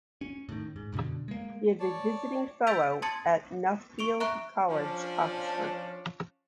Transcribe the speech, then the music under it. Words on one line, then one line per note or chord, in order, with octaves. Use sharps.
He is a visiting fellow at Nuffield College, Oxford.
C#4
A2 D#3
G#2
F#2 B2 D3
G#3 A#3
C#5 D5 A5
E6 G6 A6 B6 D7 F7
A5 C6 D#6 G#6 A6 C#7
C#6 D7 F7
E5 A#5 C#6 F#6 D7
F3 C#4 D4